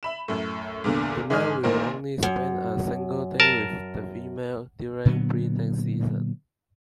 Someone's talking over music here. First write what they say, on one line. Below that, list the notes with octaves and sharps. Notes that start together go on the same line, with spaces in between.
The male will only spend a single day with the female during breeding season.
E5 B5 E7
F#2 A2
E2 G2 A#2 D3
G#2 E3 D#5 G#5 F6
A1 A#2 D#3 A#3 A#4 C5
F#2
A#4 A5
A#2 D3 F#3 B3